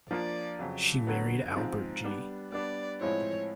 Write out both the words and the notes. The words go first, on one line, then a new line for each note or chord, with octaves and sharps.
She married Albert Jee.
F3 A#3 D4 F4 D5
F2 C#3 F#3
D3 F#3 B3
G#2 F3 G#3 C4
G3 B3 D4
G3 B3 D4 D5
A2 F3 G#3 C4 E4 C#5